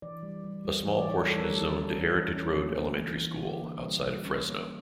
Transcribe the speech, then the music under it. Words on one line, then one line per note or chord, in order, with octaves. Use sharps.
A small portion is zoned to Heritage Road Elementary School, outside of Fresno.
E3 D5
G3
G3
G3
E3 C#5
D5
G3 C#5
G3 A4
A#4
G3 A4
C#4
C#4
E3
C#4
A#3
A#3
E3
E3
D3 G4
A#3
G3
G3
C#4
A#3